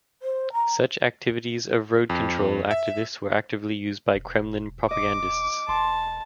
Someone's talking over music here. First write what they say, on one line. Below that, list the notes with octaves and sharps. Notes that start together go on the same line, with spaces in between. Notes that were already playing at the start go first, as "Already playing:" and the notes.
Such activities of Road Control activists were actively used by Kremlin propagandists.
C5
A#5
F2
E5
E1
D#5 D6
E1 A5 C6